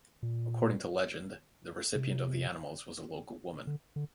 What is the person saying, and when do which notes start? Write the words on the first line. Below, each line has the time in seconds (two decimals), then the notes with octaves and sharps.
According to legend, the recipient of the animals was a local woman.
0.23 A#2
1.95 C3
3.67 D3
3.96 D3